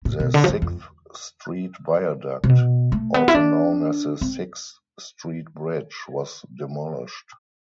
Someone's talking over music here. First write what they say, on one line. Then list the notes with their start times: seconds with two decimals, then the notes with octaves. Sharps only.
The Sixth Street Viaduct, also known as the Sixth Street Bridge was demolished.
0.05 A2
0.20 B2
0.34 D3
0.44 F3
0.48 E3
0.62 F2
2.44 C3
2.49 B2
2.92 A3
3.14 B3
3.28 E4
3.35 D4
4.21 C4